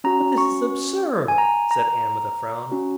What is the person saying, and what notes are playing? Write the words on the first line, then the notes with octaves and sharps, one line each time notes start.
"But this is absurd!" said Ann with a frown.
C#4 F#4 A#5
C#6
G#5
A#5
A#5
C#4 F#4